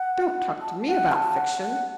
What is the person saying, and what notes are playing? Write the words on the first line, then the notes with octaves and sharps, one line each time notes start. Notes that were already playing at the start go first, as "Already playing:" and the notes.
Don't talk to me about fiction!
Already playing: F#5
A5
F#5
C#6
A5
F#5
F#5